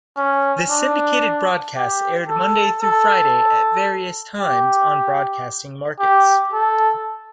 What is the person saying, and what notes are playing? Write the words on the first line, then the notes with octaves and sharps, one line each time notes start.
The syndicated broadcasts aired Monday through Friday at various times on broadcasting markets.
C#4
D4
G4
A4
A4
G4
G4
A4